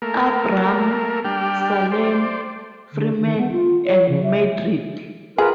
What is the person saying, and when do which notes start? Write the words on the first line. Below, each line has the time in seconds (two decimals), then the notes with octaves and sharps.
Abram, Salem, Freeman, and Madrid.
0.02 A3 A#3 A#4
1.24 G3 D4 G5 F6
1.92 C5 D5
2.93 D3
3.20 D#3
3.38 B3
3.52 F4
3.86 C#5
4.09 C#3
4.23 E5
5.38 F4 G#4 A#4 B4